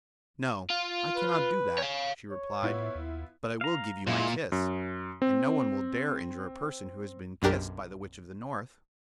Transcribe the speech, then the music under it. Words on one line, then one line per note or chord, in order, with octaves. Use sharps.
"No, I cannot do that," she replied, "but I will give you my kiss, and no one will dare injure a person who has been kissed by the Witch of the North."
F4
B4
C#5 F5
C#5
A2 B3 E4 F4
D#2
F5 A#5
A#2 G#3 E4
F#2
C4
B1 F#2 D4 G4 A#4 A6